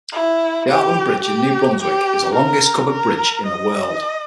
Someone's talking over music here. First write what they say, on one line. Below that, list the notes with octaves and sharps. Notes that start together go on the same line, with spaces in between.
The Hartland Bridge in New Brunswick is the longest covered bridge in the world.
E4
G4
G4
G4
A#4
A#4
D#5